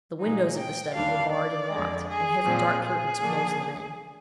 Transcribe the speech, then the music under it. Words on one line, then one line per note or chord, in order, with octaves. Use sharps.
The windows of the study were barred and locked, and heavy dark curtains closed them in.
A#2 G#3 D#4
G5
D#2 D3 G3 D4 F5
D5
F2 D3 G#3
G#4
A#2 F3 C4
G#4
D3 F3 A#3 D4